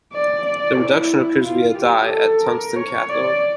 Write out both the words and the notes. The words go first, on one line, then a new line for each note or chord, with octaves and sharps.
The reduction occurs via Dy, at a tungsten cathode.
D5
D5
E4
F4
G4
A4
A#4
C#5
D5